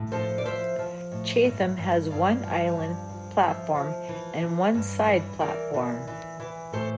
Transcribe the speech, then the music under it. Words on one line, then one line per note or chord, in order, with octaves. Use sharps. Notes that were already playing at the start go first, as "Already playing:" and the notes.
Chatham has one island platform and one side platform.
Already playing: A2
F3 A4 C5
D5
F3 C5 E5
F3
A2
G2
G2
G2 D5 F5
F3
G2
F3
F3 C5 E5
F3
E3
E3
G2
E3
E3 A#4 D5
E3
E3
E3
A2 A4 C5